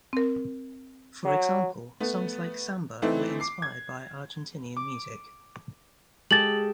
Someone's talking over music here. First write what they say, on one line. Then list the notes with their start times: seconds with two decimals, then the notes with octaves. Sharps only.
For example, songs like "Samba" were inspired by Argentinean music.
0.13 C4 A#4
1.25 F#3
2.00 A3 B3
3.02 E3 A3 C4 D#4 E4
3.40 D6 C7
3.62 G#6
4.76 D6
6.31 G#3 G4 A4 A6 F#7